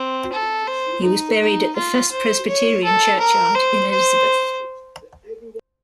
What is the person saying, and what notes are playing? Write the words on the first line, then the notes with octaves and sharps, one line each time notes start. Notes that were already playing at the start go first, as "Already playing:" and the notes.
He was buried at the First Presbyterian Churchyard in Elizabeth.
Already playing: C4
A4
C5
D#4
D#4
F4
C5
C#5
A4
A#4
C5
C5